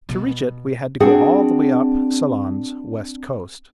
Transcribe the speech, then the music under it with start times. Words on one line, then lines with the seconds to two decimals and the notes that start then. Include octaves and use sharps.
To reach it we had to go all the way up Ceylon's west coast.
0.09 B2
1.00 C4 D4 F#4 G#4 F#5